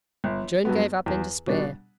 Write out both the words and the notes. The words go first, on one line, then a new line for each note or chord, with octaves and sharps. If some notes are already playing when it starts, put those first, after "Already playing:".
Joan gave up in despair.
G1
G2 F#3 B3
E2
B2 G3 D4